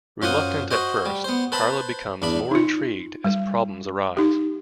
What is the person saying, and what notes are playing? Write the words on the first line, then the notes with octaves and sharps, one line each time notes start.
Reluctant at first, Carla becomes more intrigued as problems arise.
F#2 F4 C5 F#5 D#6
F#4 C5 D#5
G3
B3 C5
B4 C5 A5 B5
E2 D4 B5
D#4 F4
G3
D#4 G4